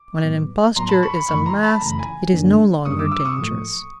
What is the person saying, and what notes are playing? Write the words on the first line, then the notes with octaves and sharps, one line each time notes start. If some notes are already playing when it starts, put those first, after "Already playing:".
When an imposture is unmasked it is no longer dangerous.
Already playing: D6
A2 F#3 B3
A2 F#3 B3 A#5 C6
A5 B5
B5 C#6
B5 C#6
F#2 C#3 E3 A3 B5 C#6
A#5 C6
A5 B5
F#2 C#3 E3 A3 A#5
B5
G#5 A#5
F#2 D3 G3 A#3 D4
F#2 D3 G3 A#3 D4 C#6 D#6
D6 E6
D6 E6
C#6 D#6
A2 F3 A3